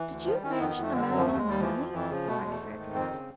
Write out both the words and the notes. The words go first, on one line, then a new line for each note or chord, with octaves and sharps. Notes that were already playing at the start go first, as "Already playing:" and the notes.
"Did you mention a man named Mooney?" cried Fredericks.
Already playing: E3
D2
D#3 F3
G3
D#3 C#4
C4
F2 B3
B3
F2
A3
D3 G#3
G3
F#2 F#3
F3
D#2 A3
G#3
D#2
G3
E3 F3
F2
F2 E3
C#3 F3
B2 A3
G#3
E2
A3
G#2
D#3
F2 C4
C#3